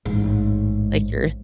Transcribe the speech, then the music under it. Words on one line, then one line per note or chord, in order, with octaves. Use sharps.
like you're
A1 G#2